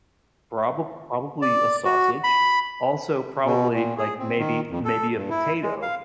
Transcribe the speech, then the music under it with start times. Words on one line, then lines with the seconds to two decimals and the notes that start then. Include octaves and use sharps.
probob probably a sausage. Also, probably, like, maybe maybe a potato
1.42 D5
1.85 F#4
2.24 B5
3.46 B2
3.74 A#2
3.98 G#4
4.19 C4
4.38 D#3
4.71 F2
4.85 A4
5.15 G2
5.30 E4
5.62 G#3
5.82 F5